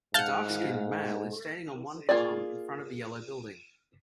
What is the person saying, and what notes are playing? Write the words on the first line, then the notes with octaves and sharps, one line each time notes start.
A darkskinned male is standing on one palm in front of a yellow building.
G#2 F5 F#5 A5 F6 G6
A#3 E4 F4 G#4 D5